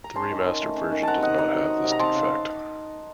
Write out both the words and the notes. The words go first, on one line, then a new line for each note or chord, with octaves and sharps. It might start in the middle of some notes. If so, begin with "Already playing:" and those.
The remastered version does not have this defect.
A#5
C#4 A5 C6
D#3
D#3
A3
C#4
D#3
C4 F#5 A5 A#5
C3 D#5 F#5
D#4 F#5 A#5
F#3
C4
C3
A#5
C4 A5 C6
C#3